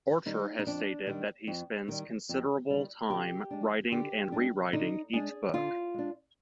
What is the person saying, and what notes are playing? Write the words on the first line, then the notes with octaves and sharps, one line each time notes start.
Archer has stated that he spends considerable time writing and re-writing each book.
D#3 G3 D#4
D#4
F2 D4
D#3 G3
F2
D#3 G3
F2
D#3 G3
D3 G4
G#3 D4
D3 G4
G#3 D4
D3 D#4
G#3 D4 G#4
D3 F4
G#3 D4